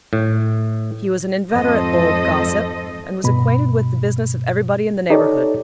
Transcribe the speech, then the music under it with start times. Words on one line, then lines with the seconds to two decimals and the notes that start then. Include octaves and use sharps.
He was an inveterate old gossip, and was acquainted with the business of everybody in the neighborhood.
0.13 A2
1.50 F2 G#2 A4 C5 D#5
3.23 G2 B2 B5
5.10 D#4 G4 A4 C#5 D5